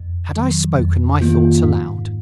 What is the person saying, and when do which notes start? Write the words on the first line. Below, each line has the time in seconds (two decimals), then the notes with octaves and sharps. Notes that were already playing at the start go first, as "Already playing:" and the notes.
Had I spoken my thought aloud?
Already playing: F2
0.36 D#3 F#3
0.79 F2
1.21 D#3 A#3 F4
1.64 G#2